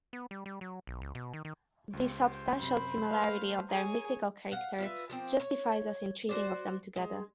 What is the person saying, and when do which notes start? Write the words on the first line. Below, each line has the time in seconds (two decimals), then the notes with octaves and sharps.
The substantial similarity of their mythical character justifies us in treating of them together.
0.13 B3
0.31 G3
0.46 G3
0.61 F#3
0.87 B1
1.02 C#2
1.15 B2
1.33 D#3
1.45 D#3
1.93 C#2 G4 C5
2.59 F#2 C3 B5
3.11 A3 B4 F5 A5
3.69 G#4 C#5 G#5 A#5
4.52 F5 F#5
4.78 F4 B4 E5
5.09 F3 A#3 C4
5.40 C#5
6.29 F#4 C5 D5
6.96 G#3